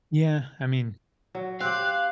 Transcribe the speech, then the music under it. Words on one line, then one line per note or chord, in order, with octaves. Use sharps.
Yeah, I mean
F#3
C4 G4 F5 F#6